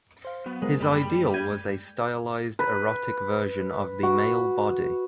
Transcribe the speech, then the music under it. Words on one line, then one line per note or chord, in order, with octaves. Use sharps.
His ideal was a stylized erotic version of the male body.
C5 F5
F#3 B3
G#3 F4 A#4 C5
F#2 G3 A#3 B5
G6 G#6 D#7
B4
F#4